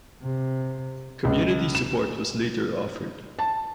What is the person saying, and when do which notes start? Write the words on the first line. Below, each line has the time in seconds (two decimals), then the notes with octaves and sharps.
Community support was later offered.
0.22 C3
1.25 C#2
1.75 E7
3.39 A5